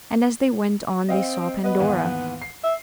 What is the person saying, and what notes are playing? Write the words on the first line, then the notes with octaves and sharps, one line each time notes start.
And as they went on they saw Pandora.
C4 D#5 F5 G5
B3 B4 D#5
D#2 G#2 E3
C7
E5